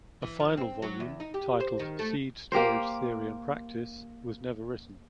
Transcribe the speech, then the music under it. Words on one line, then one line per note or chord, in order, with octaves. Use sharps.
A final volume titled "Seed Storage Theory and Practice" was never written.
E3
F3
C4
F#3
E2
D#4
G4
C5
D#3
A3
A#3 G4 A#4 C5